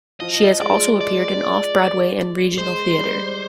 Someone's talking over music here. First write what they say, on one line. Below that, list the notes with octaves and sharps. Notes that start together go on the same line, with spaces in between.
She has also appeared in off-Broadway and regional theater.
F3 D#5
G#3 D5
D5
G#3 C5
G3